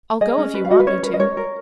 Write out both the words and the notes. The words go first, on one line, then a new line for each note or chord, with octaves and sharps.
"I'll go if you want me to."
G#4 D#5
C#4
B4
F5
F#4 D#5
B4
C#4 C#5
A#4 B4
D#5
A#4 C#5
A#4